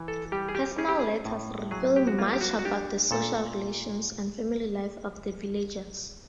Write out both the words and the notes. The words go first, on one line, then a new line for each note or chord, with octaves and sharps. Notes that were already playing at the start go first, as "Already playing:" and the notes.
Personal letters reveal much about the social relations and family life of the villagers.
Already playing: E3
A4
G3 G4
G#4
G4
C#4 G#4
G4
G#4
A2
F#3 G#4
G4
F#4
A#3 F4
G4
F#4
F#4
D4 G4
A#2 A4